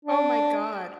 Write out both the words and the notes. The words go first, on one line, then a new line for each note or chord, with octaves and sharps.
Oh my god.
D4